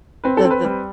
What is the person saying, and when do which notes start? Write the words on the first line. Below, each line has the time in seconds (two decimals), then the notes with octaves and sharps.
the the
0.24 C4 B4
0.37 A4
0.45 C4
0.51 B4
0.65 G3